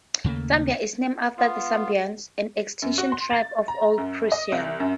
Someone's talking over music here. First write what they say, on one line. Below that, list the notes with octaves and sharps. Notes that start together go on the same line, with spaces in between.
Sambia is named after the Sambians, an extinct tribe of Old Prussians.
D#2 C#3 A3 A#3
B3 F4
F#2
F#4
C6
A6
A#5
F#2
D#5
C2
F#2